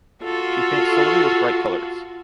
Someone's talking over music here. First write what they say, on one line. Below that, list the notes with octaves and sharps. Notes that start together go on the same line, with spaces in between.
She paints solely with bright colors.
F4 F#4 A4